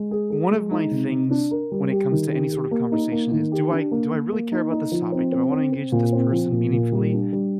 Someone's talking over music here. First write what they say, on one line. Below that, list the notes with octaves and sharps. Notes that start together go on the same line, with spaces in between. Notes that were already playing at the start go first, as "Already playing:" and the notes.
One of my things when it comes to any sort of conversation is, do I do I really care about this topic? Do I wanna engage with this person meaningfully?
Already playing: G#3
G#4
G#4
G#3
D#4
C3
C3
D4
A#4
G3
G4
D#3
G4
G4
A#3
D#4
A#3
D#3
G4
D4
A#3
A#3
A#3
D#4
D#4
F3
C4
C4
C4
C4
A#2
C4
F3
A#2
A#2
G3
D4
G3